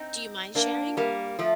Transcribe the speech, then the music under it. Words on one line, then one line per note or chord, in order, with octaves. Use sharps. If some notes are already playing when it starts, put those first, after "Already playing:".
do you mind sharing?
Already playing: C4 D#4
A#3 D4
G3 A#3
F3 A3